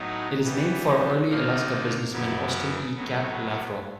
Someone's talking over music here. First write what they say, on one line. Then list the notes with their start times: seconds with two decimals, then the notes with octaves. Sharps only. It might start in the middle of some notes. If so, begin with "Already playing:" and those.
It is named for early Alaska businessman Austin E. "Cap" Lathrop.
Already playing: A2 F#3 B3 D#4
0.44 E3 G3 B3
1.28 D3 F3 A#3 D#4
2.12 F#2 C#3 F#3 B3
2.96 A2 F#3 B3